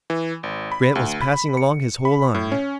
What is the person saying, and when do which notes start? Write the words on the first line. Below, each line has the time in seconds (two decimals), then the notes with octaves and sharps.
Grant was passing along his whole line.
0.10 E3
0.43 G#1
0.72 B5
0.95 D2
1.21 B5
1.57 C#7
2.05 B5
2.35 A2
2.52 C#4